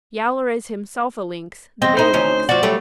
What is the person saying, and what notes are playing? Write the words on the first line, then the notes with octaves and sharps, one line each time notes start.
Yowler is himself a Lynx, the Bay Lynx.
E2 C4 D#5
D#4 E4 C5
D2 C#4 D#4
F3 F#4 D5
F#3 G3 A3